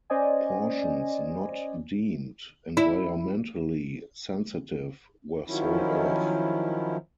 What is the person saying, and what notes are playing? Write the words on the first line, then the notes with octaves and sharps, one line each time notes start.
Portions not deemed environmentally sensitive were sold off.
C#4 C5 D5 D#5 G#5
E4
D#3 F3 F#3 C#4 E4